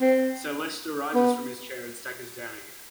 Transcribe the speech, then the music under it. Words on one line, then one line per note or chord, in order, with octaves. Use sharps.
Sir Leicester rises from his chair and staggers down again.
C4
B3